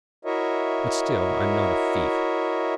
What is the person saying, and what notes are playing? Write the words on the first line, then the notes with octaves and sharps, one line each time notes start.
But still I'm not a thief?
E4 F#4 A#4 C#5 D#5 E5